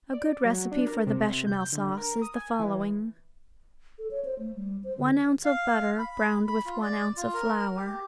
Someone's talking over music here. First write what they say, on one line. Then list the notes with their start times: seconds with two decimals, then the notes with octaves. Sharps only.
A good recipe for the Bechamel sauce is the following: One ounce of butter browned with one ounce of flour.
0.13 D5
0.45 F#3
0.72 D4
0.87 A#4
1.07 C3
1.47 G6
1.72 D3
1.97 A#4
2.22 D#6
2.35 G#5
2.59 E3
3.98 A4
4.11 C#5
4.25 C5
4.39 A3
4.55 G3
4.84 C5
4.98 D3
5.45 F5
5.99 B5
6.47 B5
6.66 F4
6.82 D5
7.17 F4
7.34 A#4
7.76 G4